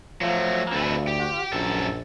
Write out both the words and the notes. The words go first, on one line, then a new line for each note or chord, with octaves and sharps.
I ha
F3 F#3 A3
D2 C4 A4 B4
G4
A#1 F#2 A4